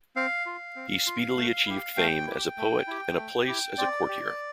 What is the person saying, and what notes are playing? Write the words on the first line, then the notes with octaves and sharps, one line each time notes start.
He speedily achieved fame as a poet and a place as a courtier.
C4 F5
F4
C4
F4
A3
E4 G4
A3 G5
E4 G4
A3
E4 G4
A3
E4 G4
C4 D5
G4